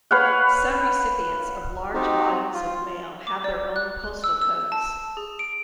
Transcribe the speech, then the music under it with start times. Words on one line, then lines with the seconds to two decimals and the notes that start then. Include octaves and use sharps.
Some recipients of large volumes of mail have their own postal codes.
0.11 B4 C#5 F5 F#5
1.94 C4 D#4 F#4 G4
2.54 F4
3.27 D6
3.44 D5
3.76 F#6
4.04 F#6
4.24 E6
4.41 E6
4.72 A5
5.17 G#4
5.39 D7